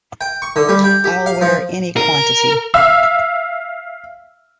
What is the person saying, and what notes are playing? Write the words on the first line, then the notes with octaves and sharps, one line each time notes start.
I'll wear any quantity.
G5
C#6
D3
G3
G5
G4
F5
F3
A#4
E5 F5 E6